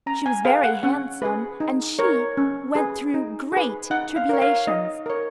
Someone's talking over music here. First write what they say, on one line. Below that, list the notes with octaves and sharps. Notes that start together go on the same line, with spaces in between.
She was very handsome and she went through great tribulations.
C#4 A#5
G#5
G#4 B4 F5
F#5
C#4 F#5
G#4 B4
D#4
A#4 C#5
C#4
G#4 B4
D#4
G#4 B4
D#4 F#5
F5
A#4 C#5
F5
D#4 D#5
A#4 C#5